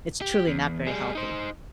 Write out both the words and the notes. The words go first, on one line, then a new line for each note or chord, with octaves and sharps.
it's truly not very healthy.
G4
E2
G3 G#4
D#4 C5